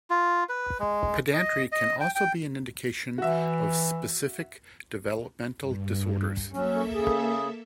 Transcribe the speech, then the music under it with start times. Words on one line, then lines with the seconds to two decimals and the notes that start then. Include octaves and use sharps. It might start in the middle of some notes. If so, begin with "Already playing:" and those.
Pedantry can also be an indication of specific developmental disorders.
0.10 F4
0.49 B4
0.79 G#3
1.33 D#5
1.72 D#5
2.01 G5
2.15 G5
3.18 E3 F#4 E5
5.58 G2
6.53 F#3 A#3 C#4 A4 E5
6.95 C#3 G#4